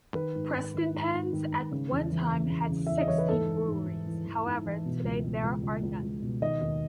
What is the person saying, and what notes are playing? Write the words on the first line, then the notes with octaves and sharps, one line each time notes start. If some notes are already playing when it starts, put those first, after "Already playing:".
Prestonpans at one time had sixteen breweries however, today there are none.
D#3 B4
G#2
G#2
D#3
G#2
G#2
D#3
G#2
C#3
E2
E3
C#3
C#3
C#3
E2 E5
D#5
E3 C#5
B4
G#2 A4
G#2
G#2
G#2
E3
E3
G#2
E3
B2
C#2
B2
C#2
C#2
C#2
C#2
B2
D#3 D#5
D#2